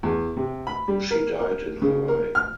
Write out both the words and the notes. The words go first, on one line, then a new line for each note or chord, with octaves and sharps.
She died in Hawaii.
E2
C3
B5
G3
A#4
A#4
C#3
A#4
F6